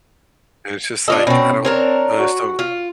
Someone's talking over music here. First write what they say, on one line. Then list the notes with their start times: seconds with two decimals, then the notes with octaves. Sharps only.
and it's just like, I don't I just don't
1.08 D4 F4 A4 D#5
1.27 B2 C4 C#4
1.65 C4 D4 A#4 C#5
2.19 F#4
2.59 F4